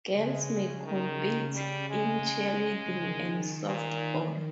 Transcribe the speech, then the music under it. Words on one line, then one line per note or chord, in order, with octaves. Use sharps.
Girls may compete in cheerleading and softball.
C#3 G#3
D#3
C#3 G3
G#3
D#3
A#2